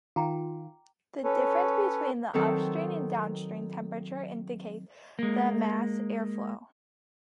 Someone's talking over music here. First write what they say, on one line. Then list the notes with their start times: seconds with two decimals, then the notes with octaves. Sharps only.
The difference between the upstream and downstream temperature indicates the mass airflow.
0.16 D#3 F4 G5 A#5 D6
1.24 C#4 A4 B4 C#5
2.34 D#3 F#3 C4 A4
5.19 G#3 A#3